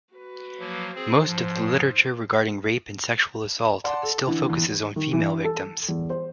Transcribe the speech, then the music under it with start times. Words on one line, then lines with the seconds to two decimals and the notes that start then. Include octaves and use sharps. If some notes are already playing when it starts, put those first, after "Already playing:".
Most of the literature regarding rape and sexual assault still focuses on female victims.
0.14 F#4 B4
0.60 F3 F#3 A#3
0.95 C4 G#4 C5
1.27 G#2 F3
3.84 D5 F#5 A5 C6
4.03 A4
4.27 D3 E3
4.49 E2
4.96 D#3
5.13 E3
5.45 A4
5.89 E2
6.10 C5